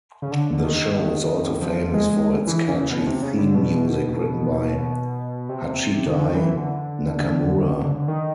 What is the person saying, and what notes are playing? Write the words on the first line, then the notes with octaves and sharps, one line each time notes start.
The show is also famous for its catchy theme music written by Hachidai Nakamura.
C#3
D3
D3
D#3
F3
G#3
E3
C#3
B2
C3
C#3
D3
B2
C3
D#3
D3
D#3
E3
D3
D#3